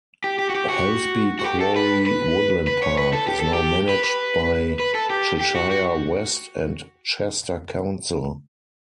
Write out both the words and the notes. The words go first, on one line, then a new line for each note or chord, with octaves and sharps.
'Helsby Quarry Woodland Park' is now managed by Cheshire West and Chester Council.
G4
G4
F#4
G4
F#4
F#4
G4
A4
B4
B4
B4
C#5
B4
A4
G4
A4
G4
B4
B4
B4
A4
G4
G4
F#4
F#4